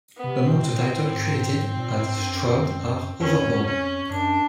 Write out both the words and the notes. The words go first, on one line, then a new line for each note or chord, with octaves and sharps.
Among the titles created at Stroud are Overboard!
B3
C3
C3
B2 C4
A2
A#2
A2
G#2
A#2
A2
G#2
G2
F#2
F2 C#4
C#4
F#2 D4